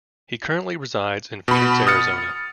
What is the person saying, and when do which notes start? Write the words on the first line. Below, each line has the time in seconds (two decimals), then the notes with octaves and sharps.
He currently resides in Phoenix, Arizona.
1.48 B2 B5
1.87 D#6 F6 A6 C#7